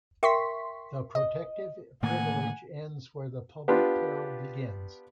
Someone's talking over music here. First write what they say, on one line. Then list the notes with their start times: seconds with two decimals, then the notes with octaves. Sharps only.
The protective privilege ends where the public peril begins.
0.23 A#4 E5 G5 C6 C#6 B6
1.15 D#5
2.03 A2 D#3 A#3 F#5 G#5
3.68 B3 D4 F4 G4 B4